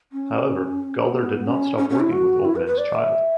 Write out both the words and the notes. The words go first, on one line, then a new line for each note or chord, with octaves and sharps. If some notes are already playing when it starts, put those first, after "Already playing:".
However, Galder did not stop working with Old Man's Child.
C#4
B3
C#4
C#4
C#4
E4
F#4
E4
B4
B4
D5
E5